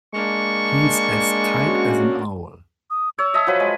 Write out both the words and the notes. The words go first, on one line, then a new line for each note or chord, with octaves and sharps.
He's as tight as an owl.
G#3 A#3 D4 C#6
C#4 F#4
D#6
C#5 E6
D#5 E5 A5
F3 F#3 B4
G#3 D#5